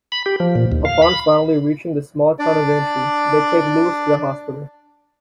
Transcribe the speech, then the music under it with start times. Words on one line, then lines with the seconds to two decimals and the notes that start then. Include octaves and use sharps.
Upon finally reaching the small town of Aintry, they take Lewis to the hospital.
0.12 B5
0.26 G4
0.40 F3
0.55 A#2
0.72 D#2
0.85 F5
1.02 B5
2.39 D4 D5